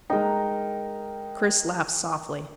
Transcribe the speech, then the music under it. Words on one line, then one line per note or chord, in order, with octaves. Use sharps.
Chris laughed softly.
G#3 D#4 A#4 G5